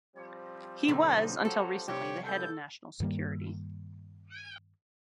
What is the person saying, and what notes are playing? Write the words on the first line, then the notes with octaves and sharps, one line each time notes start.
He was, until recently, the head of national security.
F3 G3 C4
B1 D3 D#4
F#3 A4
C2 G4 C#5
D#2 C#3 B3 A4 G6
G2 D#3 G3 A#3